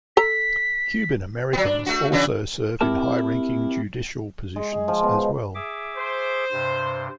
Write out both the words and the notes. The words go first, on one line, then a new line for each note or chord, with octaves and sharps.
Cuban-Americans also serve in high-ranking judicial positions as well.
A4 A#5 B6
F#3 B3
D4
A3 F#4
C#3 E3 D4
C4 E4 G4 A#4 A5
G#3
G#4
F3
B2
G#4 E5 D6
C5
G2 C3